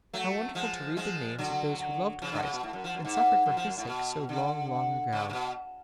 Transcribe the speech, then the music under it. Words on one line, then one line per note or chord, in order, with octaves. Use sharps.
How wonderful to read the names of those who loved Christ and suffered for His sake so long, long ago!
F#3 A3
F3 G#3
F3 G#3
D3 F#3
C#3 F3
D3
C#3
B2
A2
F#2
F3
F#2
G#2
F#2
F3
F#2
A2
B2
D3
C#3
C#3
B2